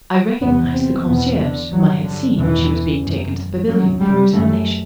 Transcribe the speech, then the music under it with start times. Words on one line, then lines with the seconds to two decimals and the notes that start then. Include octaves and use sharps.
I recognised the concierge, whom I had seen when she was being taken to the pavilion for examination.
0.40 E2 C3 B3
0.73 C4
1.06 E2 B2 B3
1.38 D3
1.71 G2 F#3
2.04 D3
2.36 E2 B2 E3
3.02 F#2
3.67 F#2 F#3
4.01 G3
4.32 F#2 A3